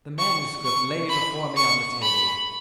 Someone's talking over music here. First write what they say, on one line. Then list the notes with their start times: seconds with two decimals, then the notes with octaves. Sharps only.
The manuscript lay before me on the table.
0.18 C#6
0.65 C#6
1.10 B5
1.57 C#6
2.03 B5